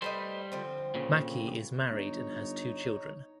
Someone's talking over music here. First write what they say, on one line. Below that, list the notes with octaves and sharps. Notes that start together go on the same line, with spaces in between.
Mackie is married and has two children.
G3 A3 B4 C5 D#5
D3 F3 C4
A#2 C#3
G1 D#4 C#5